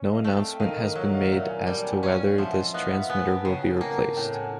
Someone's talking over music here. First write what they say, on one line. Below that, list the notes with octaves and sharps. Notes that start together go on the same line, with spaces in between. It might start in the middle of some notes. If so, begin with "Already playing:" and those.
No announcement has been made as to whether this transmitter will be replaced.
Already playing: C#4
D#5 F5
A3
F5 G5
D#3 D#5 F5
D#5 F5
F#3 C#5 D#5
D#5 F5
A#2 E5 F#5
F#5 G#5
G3 G5 A5
F#5 G#5
C#4 F5 G5
F3 E5 F#5
D#5
E5
B3 D#5 F5
E5 F#5
B3 F#5 G#5
G5 A5
C#3
G5 A5
A#3 F#5 G#5
A#5
G5 A5
A2 G5 A5
F#5 G#5